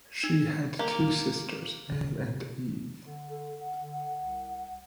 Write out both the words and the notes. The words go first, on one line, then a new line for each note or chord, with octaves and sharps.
She had two sisters, Ann and Eve.
D#4 G#6
A#3 G4
D3
A4
F#5
D3
F#5
C2